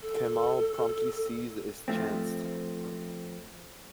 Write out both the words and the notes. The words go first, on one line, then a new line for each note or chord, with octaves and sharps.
Kemal promptly seized his chance.
A4
F3 A3 C4